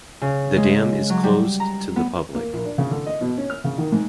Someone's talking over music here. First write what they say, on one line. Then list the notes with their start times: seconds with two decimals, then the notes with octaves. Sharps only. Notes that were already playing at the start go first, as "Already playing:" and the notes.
The dam is closed to the public.
0.21 C#3
0.57 G#3
1.10 F#3
1.23 G3
1.60 A#5
1.96 B3
2.35 A#3
2.53 A#1
2.65 D4
2.78 C#3
2.91 D3
3.06 D#5
3.21 B2
3.38 C#4
3.50 F6
3.64 C#3
3.78 D#3
3.92 G#2